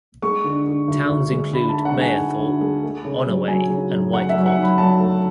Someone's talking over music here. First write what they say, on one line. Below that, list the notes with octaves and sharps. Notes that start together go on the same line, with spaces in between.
Towns include Mayerthorpe, Onoway and Whitecourt.
G#3 C#6
D3
D3
D2
D2
G#3
D3 B5
A5
D3
F#5
G#3
G#5
D2
D2
G#3
A3
C#3
F#3
F#3 G#5
C#3
F#2
A3 F#5
E5
F#3
F#5
F#2
B5
F#3 A5
A3